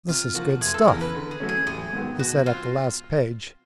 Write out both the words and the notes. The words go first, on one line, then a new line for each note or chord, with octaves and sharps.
"This is good stuff," he said at the last page.
C3 F4
F3 A#3 F#4
F1 G#4
A4
E2 C#3 E3 A#4
B4
D3
G#4
F#3 A3 C#4
G#4
A1 G#4
G#2 D#3 F#3 B3
B2 F#4
C4 F4